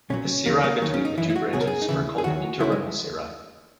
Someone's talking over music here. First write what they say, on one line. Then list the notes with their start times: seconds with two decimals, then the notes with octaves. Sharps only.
The cirri between the two branches are called interramal cirri.
0.10 B1 A#2 F#3 C#4
0.46 D#2 D#3 F#3 A#3
0.64 A#3
0.82 D#2 D#3 F#3
0.94 C#4
1.05 D#4
1.17 F#2 E3 E4
1.30 E4
1.36 F#4
1.53 C#2 B2 F#3 G#4
1.61 A#4
1.67 G#4
1.82 D#4
1.88 D#2 C#3 E3 E4
2.18 G#4
2.24 D#2 D#3 F#3 F#4
2.60 C#2 C#3 F#3 E4
2.72 G#3